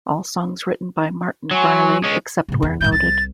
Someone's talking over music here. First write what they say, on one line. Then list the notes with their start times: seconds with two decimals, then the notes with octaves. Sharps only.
All songs written by Martin Briley, except where noted.
1.51 F#3 G#5 C6 C#6
2.04 G#3 C#4
2.48 A2 C#3
2.62 E2 F4
2.81 D1 G#2 G6
2.92 C2 A6